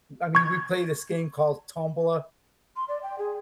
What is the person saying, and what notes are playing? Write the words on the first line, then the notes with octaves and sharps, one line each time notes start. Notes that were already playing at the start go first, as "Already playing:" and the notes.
I mean, we play this game called Tombola,
C#6 G#6
C6
D5
G5
G#4